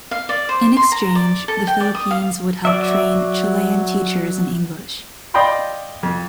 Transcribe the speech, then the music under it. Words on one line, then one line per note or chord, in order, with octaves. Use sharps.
In exchange, the Philippines would help train Chilean teachers in English.
F5
D5
C5
C6
A#5
D5
A4
G5
D5
D#6
F5
F#3 D5 E5
D5 D#5 F5 G5 B5 C6
F2